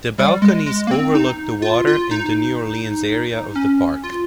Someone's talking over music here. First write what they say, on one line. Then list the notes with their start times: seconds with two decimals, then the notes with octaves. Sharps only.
The balconies overlook the water in the New Orleans area of the park.
0.18 G3
0.42 G#3
0.66 G#3
0.87 A#3
0.91 C4
1.15 D#4
1.62 F4
1.87 F4
2.11 D#4
3.56 C#4
4.04 F4